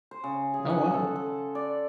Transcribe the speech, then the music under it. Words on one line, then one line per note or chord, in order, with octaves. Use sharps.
Oh wow.
C5
C#3
G#4
F#5
A4
A4
D5